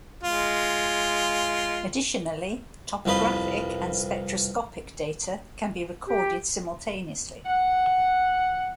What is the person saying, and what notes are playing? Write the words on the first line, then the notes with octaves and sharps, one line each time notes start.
Additionally, topographic and spectroscopic data can be recorded simultaneously.
G#3 F4
C2 F2 F4 B4 D#5
G4
F#5